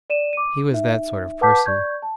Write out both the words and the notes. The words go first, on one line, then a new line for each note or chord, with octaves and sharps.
He was that sort of person.
D5 D#7 E7
D6 D#7
D#4 E5
B4 F#5 A5 D6 G6 B6
D5 C#6 G6 G#6
A5